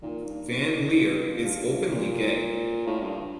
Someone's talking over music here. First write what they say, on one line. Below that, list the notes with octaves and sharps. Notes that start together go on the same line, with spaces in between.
Van Leer is openly gay.
A#2 D#3
G2
F2 C4
D4
D#4
F4
G4
F4
G2 F4
A#2
A2 F4
G2